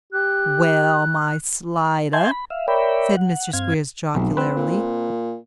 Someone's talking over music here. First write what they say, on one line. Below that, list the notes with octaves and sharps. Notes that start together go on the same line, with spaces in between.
'Well, my Slider,' said Mr Squeers, jocularly.
G4 F#6
E5 G#5 A5 C6 G6 G#6
B5
E5 F5
A#4 C#5 D5 E5 G5 B5
F#5
G2 C4 F5 G#6
F1 B1
C4 B4
A#2